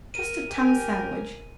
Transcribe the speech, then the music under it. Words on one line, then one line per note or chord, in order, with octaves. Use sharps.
Just a tongue sandwich.
A#4 D#7
G4 A#4 G#5